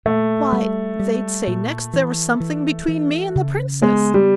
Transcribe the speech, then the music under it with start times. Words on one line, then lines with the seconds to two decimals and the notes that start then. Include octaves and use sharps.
'Why they'd say next there was something between me and the Princess.'
0.05 A#2 A3
0.53 G3
1.00 G3
1.47 A#2
1.94 E3
2.40 E3
2.88 E3
3.35 C#3
3.82 G#3 B3
4.14 G3